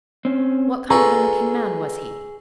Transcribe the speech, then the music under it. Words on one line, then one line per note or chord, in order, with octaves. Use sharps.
"What kind of a looking man was he?"
C4 C#4
D3 F4 G#4 B4 A#5 C#6 E6